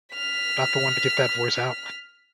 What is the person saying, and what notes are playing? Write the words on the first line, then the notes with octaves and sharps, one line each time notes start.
not the one to get that voice out.
F6 B6